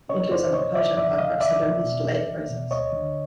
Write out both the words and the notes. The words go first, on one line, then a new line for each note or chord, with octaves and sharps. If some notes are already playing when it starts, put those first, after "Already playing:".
The interludes under the Persian Empire perhaps served only to delay the process.
C#3 C#5 D#5
F2 C5 D5
C#3 C#5 D#5
F3 D5 E5
F2 D5 E5
C#3 D#5 F5
E2 D5 E5
E2
B2
E2
E2
B2
D2 C#5 D#5
D3